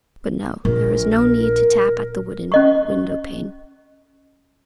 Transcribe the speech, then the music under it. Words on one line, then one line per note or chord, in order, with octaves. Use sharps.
But no--there was no need to tap at the wooden window-pane.
A#1 A#4
C#4 D#5 C#6